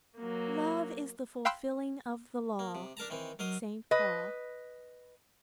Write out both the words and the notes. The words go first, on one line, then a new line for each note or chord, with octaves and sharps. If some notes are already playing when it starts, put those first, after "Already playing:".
Love is the fulfilling of the law.--St. Paul.
F#3 A#3
F5 G5 B5 C6 E6 F#6
A#3
C3
D4 A#4 A5 A#5
D#3 E3 C4
F#3 A#4 D#5 C6 D#6
B4 D#5